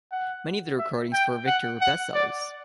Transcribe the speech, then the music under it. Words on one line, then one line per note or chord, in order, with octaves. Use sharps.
Many of their records for Victor were bestsellers.
F#5
E5
G5
F#5
F#5
D5